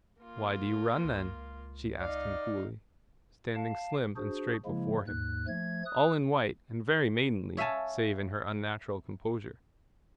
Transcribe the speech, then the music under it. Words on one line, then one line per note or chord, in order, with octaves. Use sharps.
"Why do you run, then?" she asked him coolly, standing slim and straight before him, all in white and very maidenly save in her unnatural composure.
A#3 F4
C#2
D#4 D5 F5
F5 A5
D4 F#4 G#4 C5
C#3 F3 G#3 A#3 E4
D#2 G#2 F#6
F3 A3 G#6
D#6 F#6
C#5 E5 F5 G#5 A5